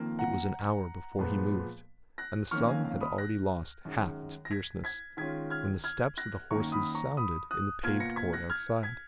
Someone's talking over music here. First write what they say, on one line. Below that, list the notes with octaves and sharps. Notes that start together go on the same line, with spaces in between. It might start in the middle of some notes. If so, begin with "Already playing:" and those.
It was an hour before He moved, and the sun had already lost half its fierceness, when the steps of the horses sounded in the paved court outside.
Already playing: F2 D#3 A#3 F4
F#5 A#5
A#2 F3 G#3 B3
F#6 A#6
F2 D#3 A#3 C#4 C#6 F6
F5 G#5
F5
B5 D#6
F#6 A#6
F#2 D#3 G#3
A#6
G#6 B6
G#6 B6
D#3 G#3 C#4 F4 G#6 B6
F6 G#6
F6 G#6
F#6 A#6
F#2 D#3 A#3 A#5 C#6
B5 D#6
A#5 C#6
B5 D#6
D#6 F#6
B2 A#3 F4 F6 G#6
A#6 C#7
G#6 B6
F#6 A#6
F6 G#6
G#6 B6